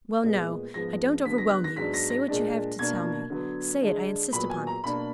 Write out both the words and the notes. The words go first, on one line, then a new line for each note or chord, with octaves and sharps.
"Well, no, I don't overwhelm you; say what you have to tell me--say it, I insist upon it."
A#2 G#3 B3
G#2 F3 B3 A#6
D3 F#3 B3 B6
A#6
F#6
A#6
G#2 F#3 B3 D4 B6
A#6
A#6
A#2 G#3 D4
B2 A#3 D4 G#6
D3 F#3 B3
D3 G#3 D4
A#2 F#3 B3 B5
G#5
A#5
B2 A#3 D4 B5